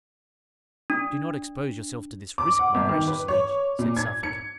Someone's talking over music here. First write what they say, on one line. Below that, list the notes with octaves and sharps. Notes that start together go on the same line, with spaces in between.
"Do not expose yourself to this risk, my gracious liege," said Suffolk.
D4
D6
F#5
G1
D#3
B4
C#5
A#2
G#6
C#7